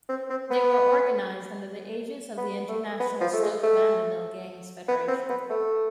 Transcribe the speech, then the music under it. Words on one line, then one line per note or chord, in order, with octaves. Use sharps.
They were organised under the aegis of the International Stoke Mandeville Games Federation.
C4
C4
B3
B3
A3
B3
F3
A3
G#3
A3
B3
C4
B3
A3